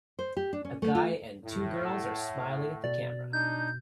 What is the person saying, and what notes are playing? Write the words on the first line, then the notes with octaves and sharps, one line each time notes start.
A guy and two girls are smiling at the camera.
C5
G4
D4
C#4
A3
F4
A2
F#5 A5 E6
B2 D5
D4 D#4 G6